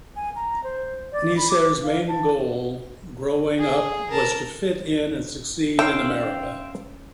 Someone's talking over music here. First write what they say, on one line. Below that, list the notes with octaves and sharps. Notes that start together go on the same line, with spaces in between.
Neisser's main goal growing up was to fit in and succeed in America.
G#5
A#5
C5
D5
B5
D6
F5
A5
G#4
A#4 A5
D#3 C#4 E5 F5 G5 C6